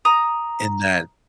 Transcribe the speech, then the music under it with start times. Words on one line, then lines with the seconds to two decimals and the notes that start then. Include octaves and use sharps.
and that,
0.05 A#5 D#6